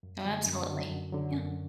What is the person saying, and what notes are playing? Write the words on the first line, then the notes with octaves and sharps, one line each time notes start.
Oh, absolutely. Yeah.
F#2
D3 F#3
F#2
D3 F#3
F#2
D3 F#3
F#2